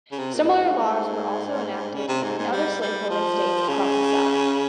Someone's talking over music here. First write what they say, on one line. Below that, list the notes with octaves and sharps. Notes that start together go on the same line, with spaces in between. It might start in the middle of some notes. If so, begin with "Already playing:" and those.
Similar laws were also enacted in other slave-holding states across the South.
C#3
C3
A#2
G2
G#2
C#3
C3
G#2
G#2
G3
G3
F3
C#3